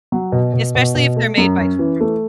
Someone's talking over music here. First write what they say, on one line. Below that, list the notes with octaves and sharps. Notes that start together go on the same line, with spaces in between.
especially if they're made by J from J
F#3
B2
B2
B2
B2
A3
F#2
C#4
E3
A3